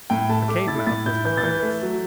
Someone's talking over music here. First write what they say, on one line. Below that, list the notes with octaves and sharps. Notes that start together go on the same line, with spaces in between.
A cave mouth was behind us.
A2 G5
A3 A5
A3 D6
E4 A6
A2 A6
E4 G6
E3 G6
A6
E3 G6
A3
F#3